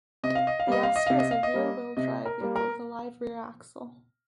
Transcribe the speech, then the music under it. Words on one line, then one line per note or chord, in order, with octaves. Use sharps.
The Astre is a rear wheel drive vehicle with a live rear axle.
C3 D#5
F5
D#5
F5
G3 A#3 D#5
F5
D#5
C3 F5
D#5
F5
D#5
G3 A#3
C3 D#5
A#4
G3 A#3
A#4